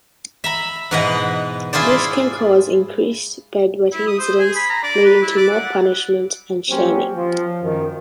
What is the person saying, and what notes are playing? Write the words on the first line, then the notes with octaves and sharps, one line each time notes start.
This can cause increased bedwetting incidents, leading to more punishment and shaming.
E5 A#5 B5
G#2 B2 E3 B4 D#5 F#5
E4 F4 G#4 C5 D5
E4
D#6
C5
G#4
B5
A#5
D5
B4
E4
D5
F#5
F#3 A#3 C4 C#4 G4
F3
F#2 D#3